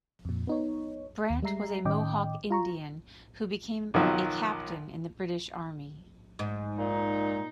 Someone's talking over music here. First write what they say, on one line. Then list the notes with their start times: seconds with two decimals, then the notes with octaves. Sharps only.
Brant was a Mohawk Indian, who became a captain in the British Army.
0.25 F2 A#2
0.47 B3 D#4 C#5
1.30 D#2
1.43 G3 G#3 E5 A#5 C7
1.85 A2 D#3 C#4 D#5 G5 D6
2.50 F4 A#5 C#6
3.94 B1 D#3 F3 F#3
6.39 G#2
6.78 A#2 D#4